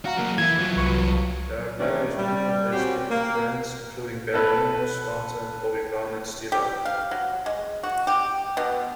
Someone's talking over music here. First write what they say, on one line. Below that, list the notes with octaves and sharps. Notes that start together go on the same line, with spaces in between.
There are various mineral-based makeup brands, including: Bare Minerals, Tarte, Bobbi Brown, and Stila.
F#4 F5 A#5
F#3 A#3
E3 E4 G#6
F#3 F4
C2 B4 C#6
D#3 E3 A3 A#3 C#4 D4
G3
C4 C#4 F#4 G4
A#3
A4 B4
G4
F5
F#3
G#3
F#4
G4
B2